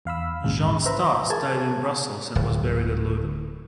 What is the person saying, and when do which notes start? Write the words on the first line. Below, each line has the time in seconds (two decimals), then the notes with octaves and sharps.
Jean Stas died in Brussels and was buried at Leuven.
0.05 E2 F5 B5 E6
0.44 A#1 D#2 G#2 C#3
0.86 B4 C5 E5 A#5
1.30 G#4 A#4 A5 G#6
2.35 D1